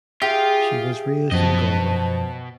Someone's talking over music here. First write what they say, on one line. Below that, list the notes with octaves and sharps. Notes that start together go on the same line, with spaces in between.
She was raised in Galway.
F4 G4 G#4 E5
F#2 B2 F3 C5 D#5 A5